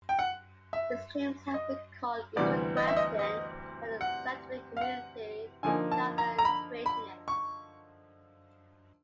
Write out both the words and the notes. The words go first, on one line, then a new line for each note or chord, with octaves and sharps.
His claims have been called into question by the scientific community and other creationists.
G5
F#5
E5
D#5
D2 C3 E3 G3 B3 D5
D#5
E5
D#5
D#5
F#5
F5
F#5
D3 F3 A#3 D#4 G#5
A5
A#5
A#5
B5
B5
C#6